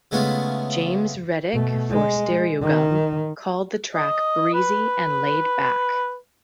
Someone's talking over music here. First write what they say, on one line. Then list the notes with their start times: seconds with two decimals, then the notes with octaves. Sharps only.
James Rettig for "Stereogum" called the track "breezy and laidback".
0.11 C#3 G#3 A3 B3 C#4 F4
1.54 B2 A3
1.90 G#3
2.62 D#3
3.94 D#5
4.54 B4